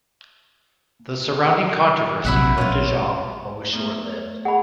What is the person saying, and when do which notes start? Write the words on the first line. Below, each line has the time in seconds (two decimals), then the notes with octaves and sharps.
The surrounding controversy hurt De Jong but was short-lived.
2.25 A#1 C3 F#3 E4 E5 F#5
2.57 A#1 B2 C#4 F4
3.73 A3 B3
4.45 G#4 D#5 F#5 A5 B5